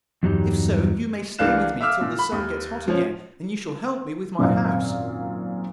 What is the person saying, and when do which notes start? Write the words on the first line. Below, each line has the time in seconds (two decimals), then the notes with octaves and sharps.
If so you may stay with me till the sun gets hot again, and you shall help me with my house.
0.23 E2 G2 F#3 G3 D#4 G4
1.38 C2 E3 D4 F5 F#6 E7
1.81 E5 F5 D6 E6 F6
2.01 A#2
2.19 B5
2.32 D#2
2.88 F3 C#4
4.39 G#1 F#2 A#2 C4 F5